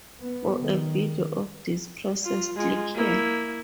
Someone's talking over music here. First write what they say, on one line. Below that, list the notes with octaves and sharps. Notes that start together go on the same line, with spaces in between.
For a video of this process click here.
B3
D#3
F4
G#3 F4
A#3 E4